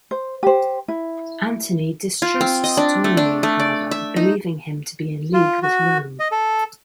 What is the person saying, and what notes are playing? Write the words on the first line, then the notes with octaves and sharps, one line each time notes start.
Antony distrusts Ptolemy however, believing him to be in league with Rome.
C5
G4 C5
E4
F4
C4
D#5
D4
A3
D4
A3
D5
E5
D#4
F4
F#4
D#5
A4